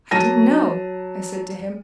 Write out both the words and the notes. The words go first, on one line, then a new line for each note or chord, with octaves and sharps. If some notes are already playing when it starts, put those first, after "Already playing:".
"I didn't know," I said to him.
F#3 A5 A#6 D#7